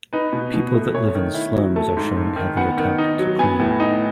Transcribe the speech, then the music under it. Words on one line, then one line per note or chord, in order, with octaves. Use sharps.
People that live in slums are showing how they attempt to clean.
D#4 B4
B2
B2
A3
A3 C#5
D#3
E4
F#3
A3 A5
G#2
G#2
D#3
B3 F#5
D#3
D#4
F#3
B3 G#5
A2
D#4